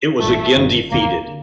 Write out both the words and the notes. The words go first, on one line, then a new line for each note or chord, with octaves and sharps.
It was again defeated.
A#1 G#2 E3 A3
G1 G2 D#3 F#3 A3
F1 D#2 D#3 A#3
D3